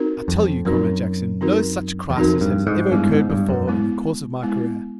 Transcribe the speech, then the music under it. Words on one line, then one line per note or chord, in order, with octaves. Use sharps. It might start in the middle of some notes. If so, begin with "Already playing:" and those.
I tell you, Comrade Jackson, no such crisis has ever occurred before in the course of my career.'
Already playing: C4 D#4 F#4 A#4
F2
F#2 C4 D#4 F#4 A#4
C4 D#4 F#4 A#4
E2
F2 C4 D#4 F#4 A#4
G2
G#2
G2 G#3 B3 E4
G#2
G2
F#2
G#3 B3 E4
G#3 B3 E4